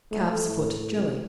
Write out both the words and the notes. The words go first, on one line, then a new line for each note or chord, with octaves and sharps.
Calf's Foot Jelly.
A3
A2
C2